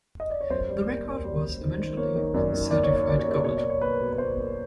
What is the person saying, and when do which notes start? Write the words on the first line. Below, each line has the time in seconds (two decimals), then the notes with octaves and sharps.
The record was eventually certified gold.
0.20 D#5
0.30 D5
0.41 C#5
0.50 F#2 C5
0.68 G3
0.87 A#3
1.05 A#3
1.24 G3
1.42 G3
1.61 D#3
1.79 D#3
1.97 A#3 C#5
2.16 D#3
2.34 F#2 D5
2.53 D#3
2.71 A#3 D5
2.84 C#5
2.90 A#3
2.95 D5
3.08 G3 D5
3.19 C#5
3.27 A#3 D5
3.44 B2 C#5
3.57 D5
3.64 B2
3.70 C#5
3.81 A#3 B4
4.01 B2
4.13 B4
4.18 A#3 C5
4.37 A#3